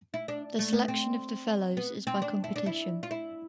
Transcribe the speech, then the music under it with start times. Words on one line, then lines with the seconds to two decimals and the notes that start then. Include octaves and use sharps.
The selection of the Fellows is by competition.
0.14 E4
0.28 D4
0.59 A3
0.73 B3
0.88 C4
1.77 B3
2.07 C4
2.22 D4
2.44 E4
2.56 D4
2.66 E4
3.03 F4
3.11 E4